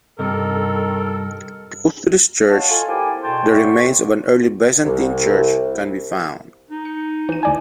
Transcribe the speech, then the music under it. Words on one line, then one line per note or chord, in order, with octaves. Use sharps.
Close to this church the remains of an Early Byzantine church can be found.
G2 C3 D#3 A4 A#4
G#3 F#4 C#5 F5 A5
F4 A4 G#5
A#3 C4 E4 G4 G5 G#5
D2 G#2 B2 G5 A5 C6
A2 B3 D5 E5 C#6
C2
D#4
C#7
E3 D#7
D2 D5 G#5